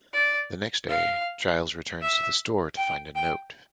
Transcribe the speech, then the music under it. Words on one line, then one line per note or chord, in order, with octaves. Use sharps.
The next day, Giles returns to the store to find a note.
D5
F5
E5
G5
G5